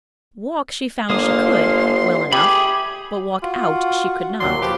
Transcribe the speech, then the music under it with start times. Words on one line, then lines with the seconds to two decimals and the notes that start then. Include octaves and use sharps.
Walk she found she could, well enough, but walk out she could not.
1.10 G1 A#3 C6 D#6
2.33 G4 G#4 E5 B5
3.43 F4 F#4
4.40 D#2 A#2 F#3 D5 C6
4.62 F3 G4 B4